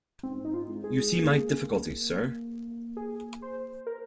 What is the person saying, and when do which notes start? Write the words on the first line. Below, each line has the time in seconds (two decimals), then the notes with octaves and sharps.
You see my difficulty, sir?
0.23 G#2 C4
0.45 D#4
0.54 F4
0.69 G#3
0.84 G#4
1.14 A#3
1.60 A#3
2.97 G#4
3.42 C5
3.87 A#4